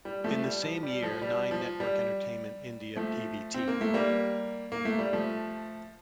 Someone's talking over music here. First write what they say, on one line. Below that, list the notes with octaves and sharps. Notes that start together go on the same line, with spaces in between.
In the same year, 'Nine Network Entertainment India Pvt.
G3
F3 A3
G3
F3
G3
F3
G3
F3
G3
F3 A3
C4
A#3
A3
G3 A#3
A#3
A3
G3
F3 A3